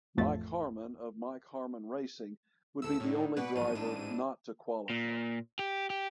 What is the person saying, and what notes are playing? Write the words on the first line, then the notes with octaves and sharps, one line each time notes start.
Mike Harmon of Mike Harmon Racing would be the only driver not to qualify.
A1 F2 F3 A3 A6
D2 E4 A4 E6
A2 D3 D#4
B2 B4 D5 F#5
A1 G#2 C#3 F3 F#3 D#7
D4 E4
A#2
G4
G4